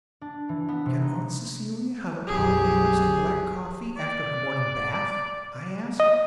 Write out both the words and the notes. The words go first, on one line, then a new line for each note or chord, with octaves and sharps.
'Can Aunt Celia have Apollinaris and black coffee after her morning bath?' I asked.
D4
E3
B3
C3
D#4
B1 F#2 F#3 G4 G#4
D5
D#5